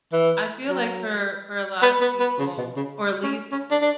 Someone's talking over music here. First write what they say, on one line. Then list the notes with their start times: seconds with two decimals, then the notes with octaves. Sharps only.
I feel like for for a lot of people or at least
0.12 E3
0.70 F#3
1.82 B3
2.01 B3
2.20 B3
2.39 C#3
2.57 B2
2.76 C#3
3.23 C#4
3.52 C#4
3.71 D4
3.82 D4